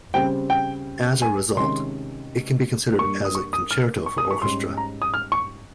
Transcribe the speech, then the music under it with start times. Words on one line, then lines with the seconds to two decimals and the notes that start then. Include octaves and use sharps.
As a result, it can be considered as a concerto for orchestra.
0.14 C#3 G3 C4 G5
0.50 G5
1.22 G#5
1.57 C3 D#3 G#3 C#4 C6
2.99 G2 G3 A#3 C#6
3.25 D#6
3.35 C#6
3.53 D#6
3.71 F6
4.06 C#6
4.18 D#6
4.31 C#6
4.42 G#2 G3 C#4 C6
4.77 A#5
5.02 D#6
5.14 F6
5.32 C#6